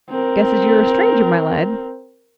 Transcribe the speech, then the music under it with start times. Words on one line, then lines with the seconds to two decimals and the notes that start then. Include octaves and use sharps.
"Guess as you're a stranger, my lad."
0.10 C4 A#4